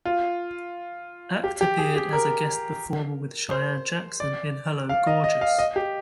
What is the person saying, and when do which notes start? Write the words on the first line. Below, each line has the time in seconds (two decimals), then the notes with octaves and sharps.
Act appeared as a guest performer with Cheyenne Jackson in Hello, Gorgeous!
0.05 F4
1.44 G4
1.61 G4
1.78 G#4
1.96 G4
2.13 A#4
3.51 C5
4.20 D5
4.89 F5
5.07 D#5
5.24 D#5
5.41 F5
5.59 D#5
5.76 G4